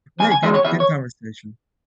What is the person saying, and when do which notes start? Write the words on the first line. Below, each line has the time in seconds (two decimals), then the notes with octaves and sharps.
hey, good good conversation.
0.20 E2 G#5
0.31 G#5
0.43 E3 G#3 E5
0.54 C#5
0.65 E2 E5
0.80 C#5